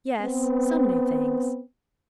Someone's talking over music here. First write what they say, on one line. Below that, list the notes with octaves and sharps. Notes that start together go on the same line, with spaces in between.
'Yes, some new things.
B3 C4